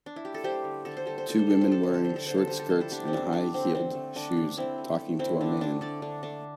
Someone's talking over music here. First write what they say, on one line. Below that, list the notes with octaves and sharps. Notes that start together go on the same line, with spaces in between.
Two women wearing short skirts and high heeled shoes talking to a man.
D4
E4
G4
A4
G3 G4 C5
D3
D3 A4
C5
G3 A4
C5
G3 A4
C5
G3 A4
C5
G3 A4
D3 C5
A4
D3 C5
A4
D3 C5
A4
G3 C5
A4
G3 C5
E4 A4
D3 D4 G4
C4
G3 D4
D3 D4
D3 C4
D3 C4
A3
D3 D4
D3
D3 C4 E4
D3
A3
D3 C4 E4
D3 D4
A3 D4
D3 A4 D5
D3 D4
A3 D4